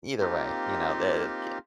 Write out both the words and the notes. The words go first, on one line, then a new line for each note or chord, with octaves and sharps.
Either way, you know, the c
A#3 C4 D#4 F4 G4